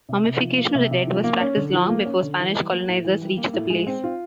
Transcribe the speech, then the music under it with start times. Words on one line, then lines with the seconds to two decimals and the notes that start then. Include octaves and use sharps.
Mummification of the dead was practiced long before Spanish colonizers reached the place.
0.09 C3
0.25 C3
0.42 F3
0.58 A#3
0.75 C3
0.91 C3
1.07 F3
1.24 A#3
1.41 C#4
1.56 D3
1.73 F3
1.89 A#3
2.05 C#4
2.23 D3
2.39 E3
2.55 G3
2.72 A#3
2.88 A2
3.05 E3
3.21 G3
3.37 A#3
3.53 A2
3.70 G#3
3.87 C4
4.04 F4